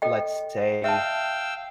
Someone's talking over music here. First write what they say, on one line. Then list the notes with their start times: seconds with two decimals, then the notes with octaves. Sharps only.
let's say,
0.02 A4 D#5 G5
0.84 E5 F5 G5 A5 E6